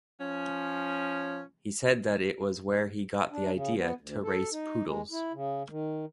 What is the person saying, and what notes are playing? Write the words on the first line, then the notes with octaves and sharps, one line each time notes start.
He said that was where he got the idea to race poodles.
F3 C#4
D4
C#3
B3
D2
A4
D#4
G#3
E4
C#3
D#3